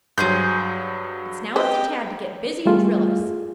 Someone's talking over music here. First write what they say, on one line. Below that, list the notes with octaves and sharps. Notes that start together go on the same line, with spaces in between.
It's now up to Tad to get busy and drill us.
G2 F#3 G#4 C5 G6
C4 G4 B4 C5 D#5
G3 A3 F4 G#4